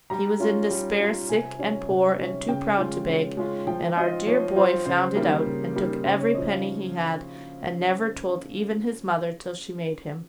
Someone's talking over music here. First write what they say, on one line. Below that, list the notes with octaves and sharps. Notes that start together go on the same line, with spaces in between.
He was in despair, sick and poor, and too proud to beg; and our dear boy found it out, and took every penny he had, and never told even his mother till she made him.'
G3 A#5
C#4 F4
G3
C#4 F4
C3 G#5
G3 C#4
C3
G3 C#4
C#3 G5
G#3 C#4 F4
C#3
G#3 C#4 F4
F3 G5
C4 F4 D#5
F3 C#5
C4 F4 C5
C#3 C5
G3 A#3 D#4
C#3
G3 A#3 D#4
C#3 C5
C#5
F3 C4 D#5
F5